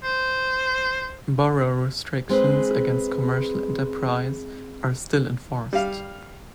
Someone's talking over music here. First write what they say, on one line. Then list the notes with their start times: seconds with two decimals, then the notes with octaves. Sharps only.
Borough restrictions against commercial enterprise are still enforced.
0.04 C5
2.29 G#3 C4 G#4 B4
5.73 G3 F5